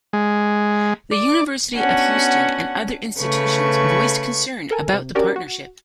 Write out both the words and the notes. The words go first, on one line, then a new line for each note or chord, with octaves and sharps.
The University of Houston and other institutions voiced concern about the partnership.
G#3
D5
B3 C#4 D4 F#4 F#5
C#3 A3 B4 C#6
A4 A#4 G#5
C3
C#4 D4 F#4 G4 A#4 D5
F#4